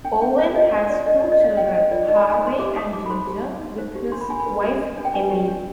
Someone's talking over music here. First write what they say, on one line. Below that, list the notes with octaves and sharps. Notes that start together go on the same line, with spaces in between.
Owen has two children, Harvey and Ginger, with his wife Emilie.
D4 G5
D4 G5
C5 F5
F4 D#5
D4
D4 D5
C5 D#5
F4 D5
D#5
D4 F5
D4 G5
C5 D#5
F4 D5
D#4 D#5
B5
G#5
D#4
G#5
C5 C6
G4 D6
D#4 D#6
D#4 D6
B5
C5 C6
G4
D#4
D#4
C5
G4
D4 C6
B5
D4 G#5
B5
B4
G4
D4
D4
G5
B4 G#5
G4
D4